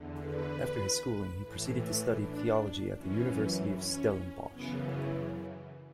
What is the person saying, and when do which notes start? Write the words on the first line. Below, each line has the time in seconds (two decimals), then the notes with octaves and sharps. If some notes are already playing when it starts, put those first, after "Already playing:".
After his schooling, he proceeded to study theology at the University of Stellenbosch.
Already playing: E2 D3
0.25 B4
1.42 A2 E3
2.19 D4
2.96 F#2 E3 C#4
3.74 C#4
4.51 F#2 C#3 E3 B3